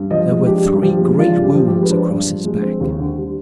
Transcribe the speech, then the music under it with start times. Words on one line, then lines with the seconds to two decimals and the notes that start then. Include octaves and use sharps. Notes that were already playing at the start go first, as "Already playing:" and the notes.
There were three great wounds across his back.
Already playing: G2
0.11 F3 D#5
0.29 G#3
0.46 D4 G4
0.65 G2
0.83 F3 G4
1.01 G#3
1.19 D4 F4
1.37 G2
1.43 G4
1.55 F3
1.67 G4
1.73 G#3
1.83 B4
1.90 D4 C5
2.09 G2
2.27 F3
2.45 G#3
2.62 C4
2.80 D#2
2.99 D3
3.16 G3